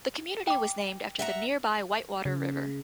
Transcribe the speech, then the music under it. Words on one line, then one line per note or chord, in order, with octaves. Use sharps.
The community was named after the nearby Whitewater River.
G5 D6
E5 F#5 A#5
C#3